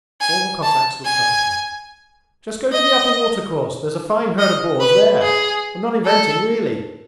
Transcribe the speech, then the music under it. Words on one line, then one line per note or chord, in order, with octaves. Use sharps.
All the Cossacks looked up at him. 'Just go to the upper water-course, there's a fine herd of boars there. I'm not inventing, really!
G#5
A5
G#5
D#5
D#5
B4
G#4
A4